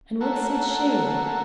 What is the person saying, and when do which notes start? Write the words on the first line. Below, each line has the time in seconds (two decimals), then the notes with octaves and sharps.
"And what said she?"
0.21 A3 A#3 F#4